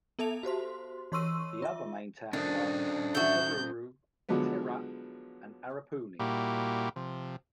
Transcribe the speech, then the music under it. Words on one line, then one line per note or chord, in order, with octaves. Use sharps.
The other main towns are Putaruru, Tirau and Arapuni.
B3 A4 E5 A5 F7
F#4 G4 C5 C6
E3 C#5 C6 C#6 E6 D#7
F4 E5
D#3 C#4 D4 A4 C5
F#4 E5 G6
B2 D3 F3 F#3 G#3 B3
A#2 G3 A#3 E4 F#4 G4
C3 F3